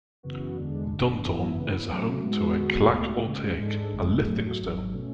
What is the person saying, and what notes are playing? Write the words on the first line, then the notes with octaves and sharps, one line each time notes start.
Duntulm is home to a clach-ultaich, a lifting stone.
F#2 C#3 E3 B3 F#4
E2 D3 G#3 D4
G#1 F#2 D3
G#1 F#2 E3 B3 E4
C#3 E3 B3
C#3 F#3 A3
G#2 G#3 B3 F#4
E2 D3 G#3 B3 F#4
C#2 B2 A3
C#2 C#3 G#3
G#2 G#3 D4 A4
G#1 F#2 C#3 G#3
A2 F#3 A3
G#1 G#2 F#3
B2 A3 C#4